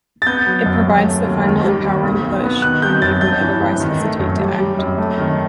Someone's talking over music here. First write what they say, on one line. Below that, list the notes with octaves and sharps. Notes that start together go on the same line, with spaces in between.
It provides the final empowering push when we would otherwise hesitate to act.
A6
B3 G6
F#3
F#2
D#2
A3
D#2
D#3
G3
D#2
B1
B1
B3
D#3 F#6
D#3 G6
F#2 A6
G2 G6
E3
A1
D#3
A3
F#2
G3
G3
F#2
A3
D#3